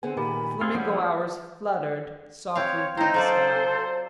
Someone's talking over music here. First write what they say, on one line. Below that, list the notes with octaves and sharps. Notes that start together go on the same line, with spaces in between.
The flamingo hours fluttered softly through the sky.
D3 B3 C4 G#4 G#5
A#2 D#3 G4 G#5 B5
C4 F4 G#4 A4
F3 G3 C#4 E4 F#5
C4 C#5 F5
D#4 E4 C5 E5 G5 A#5
F#3 F4 A4 C5 D5